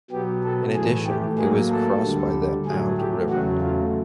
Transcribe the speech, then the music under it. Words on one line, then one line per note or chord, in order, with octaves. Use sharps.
In addition, it was crossed by the Aude River.
B2 F#3 B3 G4
A4
A2 E3 A3 G#4
G4
A2 F#3 A#3 G#4
A4
D2 D3 G3
A2 F#3 A3 G#4
G4
E2 C#3 F#3 A3 F#4
F4